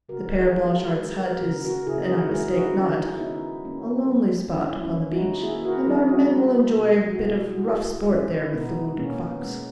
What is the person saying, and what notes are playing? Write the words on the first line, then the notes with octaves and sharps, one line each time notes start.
The Pere Blanchard's hut is--an I mistake not--a lonely spot upon the beach, and our men will enjoy a bit of rough sport there with the wounded fox.
C#3 F#4 A#4
E4 G#4
G#3
F#4 A#4
G#3
F#4 A#4
C#3
F#4 A#4
C#3 E4 G#4
F#4 A#4
G#3 E4 G#4
D#4 F#4
D#3 C#4 E4
E4
D#3 B3 D#4
A#3 C#4
F#3
D#3 C#4 E4
C#4 E4
D#3
D#4 F#4
A#3 E4 G#4
F#4 A#4
F#3 E4 G#4
D#4 F#4
G#3
B2
F#4
B2 E4 G#4
F#4
G#3 E4 G#4
G#3 C#4 E4
B2 B3 D#4
B2 A#3 C#4
B3
G#3